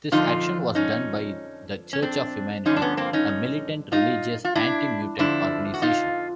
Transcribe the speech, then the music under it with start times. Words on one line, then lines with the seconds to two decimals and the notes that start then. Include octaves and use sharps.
This action was done by the Church of Humanity, a militant, religious anti-mutant organization.
0.12 F2 D3 F3 D#4 F4
0.75 C#4 D#4
1.93 C#4
2.02 C4 D4
2.65 G2 D3 F3 C#4 D#4
2.76 D4
2.82 B3 C#4
2.97 A#3 C4
3.13 C#4 D#4
3.92 D#4 F4
4.45 F4
4.55 D4 E4
5.19 F2 D3 F3 D4 E4
5.74 F#4
5.82 D#4 F4